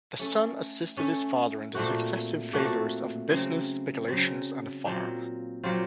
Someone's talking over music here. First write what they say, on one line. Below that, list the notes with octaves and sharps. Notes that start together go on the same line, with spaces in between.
The son assisted his father in the successive failures of business, speculations and farm.
A3 C#4 A4
A3 C#4 A4
A#2 A3 C4 F#4
A#2 A3 C4 F#4
C#3 F#3 C4
C#3 F#3 C4
A#2 F#3 C4 F4
A#2 F#3 C4 F4